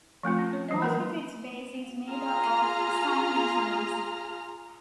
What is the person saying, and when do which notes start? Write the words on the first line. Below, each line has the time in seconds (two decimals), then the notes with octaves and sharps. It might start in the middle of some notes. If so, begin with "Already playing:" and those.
Most of its base is made up of Sunni Muslims.
0.23 F3 A3 C4 F4
0.39 C#4
0.53 C#5
0.68 E3 F#3 G#3 D#5
0.82 A#3 A#4 B4
2.10 F4 G#4 A#5 F6